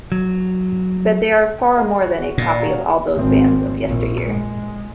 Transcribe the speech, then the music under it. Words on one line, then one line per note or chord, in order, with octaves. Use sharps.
But they are far more than a copy of all those bands of yesteryear.
F#3
G5
G#3
F#4
A#2 D4 F5
F#3 C#4 A#5
G#1 C4
A#1
G#3